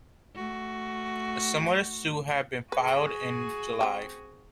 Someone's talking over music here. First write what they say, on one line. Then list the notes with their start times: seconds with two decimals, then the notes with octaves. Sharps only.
A similar suit had been filed in July.
0.35 A3 F#4
2.72 F#4 G#4 B4
3.81 C4 G4